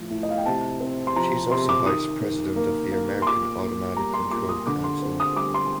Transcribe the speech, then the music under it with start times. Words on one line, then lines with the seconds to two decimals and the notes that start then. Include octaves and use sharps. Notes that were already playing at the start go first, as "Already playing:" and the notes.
She is also vice president of the American Automatic Control Council.
Already playing: A2 F3 A3
0.10 A2
0.23 D#5
0.30 F5
0.38 G5
0.46 C3 A5
0.81 C4
1.07 C6
1.16 F3 A#5
1.51 C3 C6
1.69 D6
1.86 D#3 D#6
2.22 D#3
2.56 A#3
2.92 A#3
3.22 C6
3.26 A#2 D6
3.61 A#3
3.97 G3 A#5
4.14 C6
4.31 A#2 D6
4.49 D#6
4.67 D3 D6
4.84 C6
5.02 C4
5.20 D#6
5.37 G3 D6
5.54 C6